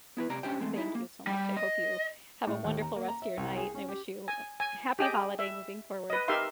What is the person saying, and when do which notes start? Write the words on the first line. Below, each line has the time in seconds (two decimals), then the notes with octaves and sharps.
thank you so much, I hope you have a wonderful rest of your night, and I wish you, o happy holiday moving forward.
0.17 B3 E4 B4
0.29 C3 D5 A#5
0.43 C#4 D4 G4 C5 G5
0.60 E2 G#3 A3 C4
0.76 D#4 E4 G#4
0.95 A#3
1.27 G3
1.57 D#5
2.47 A2
2.64 D#2
2.82 A#5
2.96 A#3
3.08 A#5
3.22 E5
3.37 C2
3.57 G#4
3.75 C#4
3.89 G4
4.28 G#5
4.60 G#5
4.99 G4 G#4 D#5 G5
5.39 E5
6.10 B4 D#5
6.28 D#4 G4 A#4 E5 F5 C6